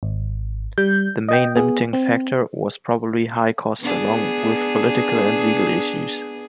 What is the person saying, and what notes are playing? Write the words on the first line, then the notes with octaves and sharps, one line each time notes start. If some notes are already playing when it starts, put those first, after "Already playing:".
The main limiting factor was probably high costs along with political and legal issues.
G#1
G3 G6
D#5 G5
B3 G#4
C4
B3 D4 G#4